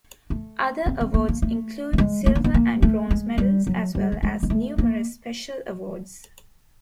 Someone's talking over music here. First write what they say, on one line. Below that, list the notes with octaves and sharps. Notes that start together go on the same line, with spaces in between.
Other awards include silver and bronze medals, as well as numerous special awards.
A3
C4
C4
A#3
A#3
A3
A3
G#3
A3
A#3
B3
A#3
A3
G#3
G3
F#3
G3
A3
G#3
G#3
A3
A#3